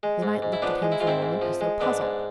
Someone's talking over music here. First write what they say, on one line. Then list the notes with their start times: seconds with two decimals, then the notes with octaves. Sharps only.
The knight looked at him for a moment as though puzzled.
0.03 G#3
0.22 G#2
0.42 G#2
0.53 E4
0.62 F3 B3 D4
0.82 G#3
0.92 E4
1.00 G#2 F4
1.07 C4 E4
1.22 G#2
1.42 F3
1.61 G#3
1.81 G#2 B3 D4
2.01 G#2